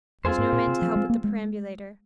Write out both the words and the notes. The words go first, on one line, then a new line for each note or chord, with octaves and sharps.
There's no man to help with the perambulator.
F2 C4 F4 G#4 C5
G#2
A#2
C3
F3
G#3
A#3
G#3